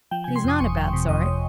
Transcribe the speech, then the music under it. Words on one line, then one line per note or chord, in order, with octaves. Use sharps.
He's not a bad sort.
F3 G5
C3 G#5
C6
F2 D#6
G1 C#6
F3 G5
C3
F2 D#5
C#5